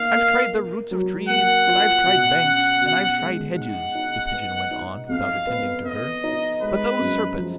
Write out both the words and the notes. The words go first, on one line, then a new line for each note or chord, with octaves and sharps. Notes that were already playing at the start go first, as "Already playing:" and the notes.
'I've tried the roots of trees, and I've tried banks, and I've tried hedges,' the Pigeon went on, without attending to her; 'but those serpents!
Already playing: A#2 A#3 D#4 F5
A#3
A#3
F#3
A#3 F#5
F4
B2
C#4
B2
G#3
D#4 F#5
D#4
B3
D#4
F2 F5
B3
B3 D#5
D#4
G#3 B4
F#2
F3